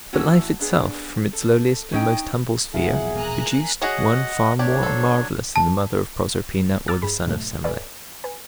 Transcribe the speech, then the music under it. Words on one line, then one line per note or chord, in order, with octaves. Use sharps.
But Life itself from its lowliest and most humble sphere produced one far more marvellous than the mother of Proserpina or the son of Semele.
A2 E3 C#4 F#4
B3 D4 G#4
A4
C#4 D#4 G5
E1 A#1 F#3 B3 E4 F4 G#4 F#5
A#3 G#5 A#5 F#6
F#4 G#4 C#5 D#5 F#5
F#3 D4 G4 C#5 D5
A4 C5
A5
A#5 D6 E6 F6 A6
G2 G#4 B5
G#2 B2 F#3 A3
A4 B4 C#5 D5 E5 G#5
B4 G#5